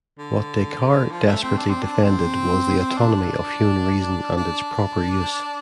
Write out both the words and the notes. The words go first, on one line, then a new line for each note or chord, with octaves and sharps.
What Descartes desperately defended was the autonomy of human reason and its proper use.
D3
F3
A3
C4
D4
C4
D4
C4
D4
D4